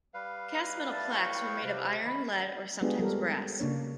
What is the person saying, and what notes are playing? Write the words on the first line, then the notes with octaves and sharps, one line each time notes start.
Cast metal plaques were made of iron, lead, or sometimes brass.
G3 B4 F5
D5 E5 A5
A2 G5 C#6
C3
D#3 B5
G#3 B3 D4 F4 G4 G#4
G3 A4 A#4 C#5
C#3 A#3 D4 C#5